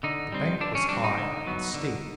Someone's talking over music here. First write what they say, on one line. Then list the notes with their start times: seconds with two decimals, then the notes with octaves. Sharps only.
The bank was high and steep.
0.03 D3 D#4
0.32 G3 C4
0.61 D3 D4
0.75 C#4
0.89 G3 C4 D4
1.04 D#4
1.18 D3
1.47 F#3 B3
1.74 D3